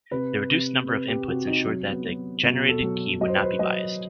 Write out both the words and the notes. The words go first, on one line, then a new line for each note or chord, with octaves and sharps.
The reduced number of inputs ensured that the generated key would not be biased.
C3 B4
C3
C3 B4
G4
C3 F#4
D#4
F#3
B3
F#3
B2 F#4
A4
F#3
F#3 D#5
C5
B4
C5
F#3 D#5